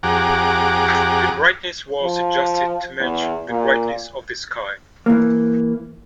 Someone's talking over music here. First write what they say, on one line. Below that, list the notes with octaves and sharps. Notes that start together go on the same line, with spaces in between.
The brightness was adjusted to match the brightness of the sky.
F2 G4 G#4 F#5 A#5 D6
F3
E2
A#2
E3 A#3